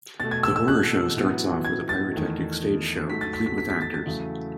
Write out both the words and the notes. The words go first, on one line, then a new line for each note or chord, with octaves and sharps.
The horror show starts off with a pyrotechnic stage show complete with actors.
B2 A3 A6
G#6
E6
E6
F#6
A2 F#3 B3
G#6
A6
E2 D#3 A3
G#2 F#3 A3 B6
A6
B6
B6
B6
B6
A6
A6
E2 C#3 F#3 A3